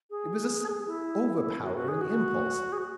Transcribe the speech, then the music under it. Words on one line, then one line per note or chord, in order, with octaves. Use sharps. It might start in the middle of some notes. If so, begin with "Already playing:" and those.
It was a sudden overpowering impulse.
G#4
E4
F#4
F#4
G#4
F#4
G#4
F#4